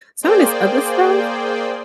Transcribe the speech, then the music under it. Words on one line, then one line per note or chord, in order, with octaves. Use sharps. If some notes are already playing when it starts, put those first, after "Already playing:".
some of this other stuff
A#3 G#4 C5 D5 G5